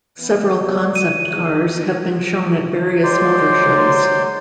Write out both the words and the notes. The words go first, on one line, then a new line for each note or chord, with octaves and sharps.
Several concept cars have been shown at various motor shows.
E3 B3
F#4 C#5 D5
D#7
E2
F#3 G#3 C5 D5